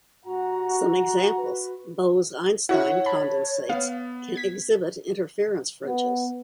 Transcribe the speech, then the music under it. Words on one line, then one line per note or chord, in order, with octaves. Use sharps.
Some examples: Bose-Einstein condensates can exhibit interference fringes.
G2 F#4 F#5 A#5
B4
E4 F#4 C#5 E5 F#5
A5 B5
B3 F5
G#6 B6
B3